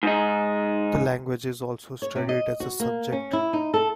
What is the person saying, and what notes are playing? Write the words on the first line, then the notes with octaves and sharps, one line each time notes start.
The language is also studied as a subject.
G#2 D#4
C#5
C3
D#5
F#4
A#3
C#4
E4
D#4
A4